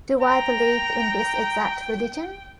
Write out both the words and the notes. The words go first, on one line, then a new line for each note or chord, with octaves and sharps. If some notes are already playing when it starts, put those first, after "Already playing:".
Do I believe in this exact religion?
G5 A#5